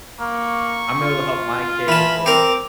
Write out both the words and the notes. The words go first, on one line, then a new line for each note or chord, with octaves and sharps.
I'm able to help my kids or,
A#3 C#6
F4
E3 A5 B5
C4 A#4 D6